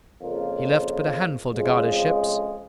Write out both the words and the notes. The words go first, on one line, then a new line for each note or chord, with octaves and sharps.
He left but a handful to guard his ships.
F2 C#3 F3 A#3 F4
F2 C#3 F3 G#3